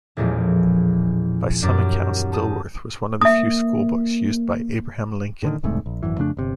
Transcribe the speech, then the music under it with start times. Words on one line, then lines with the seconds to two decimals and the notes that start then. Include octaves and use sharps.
By some accounts Dilworth was one of the few schoolbooks used by Abraham Lincoln.
0.17 A1 E2 A#2 F3 G#3
1.62 D#1 F#2 D6 A6
2.32 A5 D#6
3.21 A#3 E5 D#6
5.42 A2 D3 D#3
5.63 E1 C2 G#2 A3
5.86 A#1
6.03 G#1 F#2 E3
6.18 F2 C#3 A3 D4
6.37 G1 C3